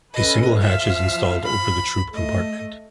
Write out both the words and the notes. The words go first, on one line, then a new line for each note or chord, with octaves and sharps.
A single hatch is installed over the troop compartment.
C#4 A4 B4 D#5
F3 E5 F5
B5
A3 D#5